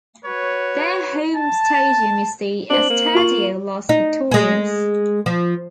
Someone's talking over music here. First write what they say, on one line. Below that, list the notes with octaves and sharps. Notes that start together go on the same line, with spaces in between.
Their home stadium is the Estadio Las Victorias.
F#4 B4 C#5
A5
C4 D4 C5 F#7
A#3
F4 C#6
D#4
G#3 G#4
F3